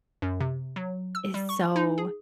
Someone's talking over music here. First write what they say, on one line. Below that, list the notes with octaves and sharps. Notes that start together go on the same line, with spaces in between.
is so
F#2
C3
F#3
E6
G3
C#6
D#4
G#4